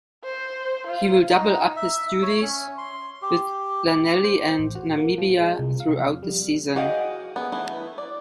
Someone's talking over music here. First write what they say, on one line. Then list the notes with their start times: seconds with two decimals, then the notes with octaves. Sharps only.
He will double up his duties with Llanelli and Namibia through out the season.
0.24 C5
0.87 F4
1.30 D#4
1.76 E5
2.22 C#5
2.42 C#4
2.78 C6
3.22 G4
4.24 C5
4.59 A1
4.75 F#4
4.98 A#3
5.18 F3
5.37 G#3
5.59 C2
5.80 F5
5.99 F2
6.23 G3
6.76 F#4 G#4 D#5 F5 G5
7.36 B3 G#4
7.52 E3 A3 B3 E4
7.98 D5